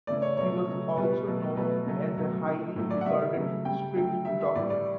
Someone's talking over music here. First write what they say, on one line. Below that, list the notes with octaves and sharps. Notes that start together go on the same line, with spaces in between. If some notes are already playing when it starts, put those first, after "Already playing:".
He was also known as a highly regarded script doctor.
C#3 E3 A3 D5
C#5
B2 F#3 A3 C#5
C#3 F#3 A3
B2 G3 B4
B2 F#3 A3
B2 F#3 A3 B4
C#3 F#3 A3
B2 F#3 A3
D3 A3
A2 F#3 A3
D5
F#5
C#3 G3 E5
C#3 F#3 A3
C#3 G3 G5
D3 F#3 A3
D3 G3 E5
E5
A2 E3 G3 D5
D5